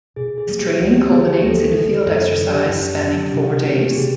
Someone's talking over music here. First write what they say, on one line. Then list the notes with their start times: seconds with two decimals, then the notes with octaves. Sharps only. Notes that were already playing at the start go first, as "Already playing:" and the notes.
This training culminates in a field exercise spanning four days.
0.16 B2 G#4
0.38 G#4
0.49 G3 A#3
0.59 G4
0.80 D2 F#4
0.95 G4
1.11 D3 G3 A#3 G#4
1.27 G4
1.43 D2 A4
1.75 D3 G3 A#3
2.05 F#2 A4
2.37 D3 F#3
2.48 G4
2.69 F#2
2.99 D3 F#3
3.32 C3 G4
3.48 G4
3.63 E3 A3 F#4
3.79 G4
3.94 C3 G#4